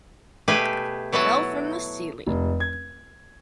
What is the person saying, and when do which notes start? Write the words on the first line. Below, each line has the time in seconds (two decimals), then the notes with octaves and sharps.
Fell from the ceiling!
0.48 B2 A3 G4 G#4 B4
1.12 F#3 B3 E4 F#4 A5
2.27 F1
2.60 G#6